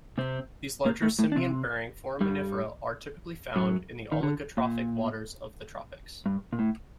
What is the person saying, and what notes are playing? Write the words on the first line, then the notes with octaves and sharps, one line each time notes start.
These larger symbiont-bearing foraminifera are typically found in the oligotrophic waters of the tropics.
C3 C4
A#2 A#3
A2 A3
A2 A3
D4
C3 C4
G2 G3
F#2 F#3
D#3
D3
A#2
G2
A#2
A2